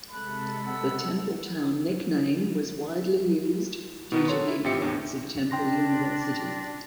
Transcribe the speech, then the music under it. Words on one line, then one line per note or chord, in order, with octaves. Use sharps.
The Templetown nickname was widely used due to the influence of Temple University.
C3 G#3 A4 B5 F#6
F#5 E6
B2 D#3 B3
F#4 A4 C#5 C6
E4
A1 C4 F4 G4 E5 C#7
E2 A2
D4 G5 C6 A#6